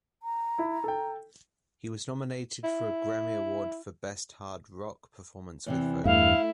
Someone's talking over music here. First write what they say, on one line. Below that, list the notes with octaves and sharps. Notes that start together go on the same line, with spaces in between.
It was nominated for a Grammy Award for Best Hard Rock Performance with Vocal.
A#5
E4
A4 G5
E4
E2 C3 E3
E2 G2 A3 E4 F5